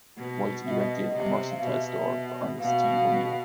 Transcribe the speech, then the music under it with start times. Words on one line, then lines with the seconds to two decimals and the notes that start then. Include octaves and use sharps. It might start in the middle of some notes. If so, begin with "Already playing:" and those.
White erected a mercantile store for Ernest T. O'Neil.
0.17 B2
0.65 B2 E5
0.71 D#5
1.14 C3
1.51 F5
1.63 B2 E5
2.60 B2 F5